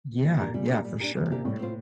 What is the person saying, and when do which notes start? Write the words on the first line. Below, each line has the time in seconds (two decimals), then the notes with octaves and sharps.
Yeah, yeah, for sure.
0.24 A#2 G3
0.39 D4 G4 A#4
0.54 A#2 G3
0.70 D4 G4 A#4
0.85 G3
1.00 D4 G4 A#4
1.15 C3 G3
1.30 A#2 D4 G4 A#4
1.45 A2 G3
1.59 C4 F4 C5